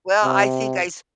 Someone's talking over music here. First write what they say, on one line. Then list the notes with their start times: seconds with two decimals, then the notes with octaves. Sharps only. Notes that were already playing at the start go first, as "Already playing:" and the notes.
Well, I think I s
0.24 C3